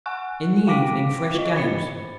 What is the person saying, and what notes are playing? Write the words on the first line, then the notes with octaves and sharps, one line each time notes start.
In the evening fresh gales.
F#5 G#5 C#6 F#6
F5 G5 D6 A#6 B6 D7
F4 D#5
C5 B5 A6 C#7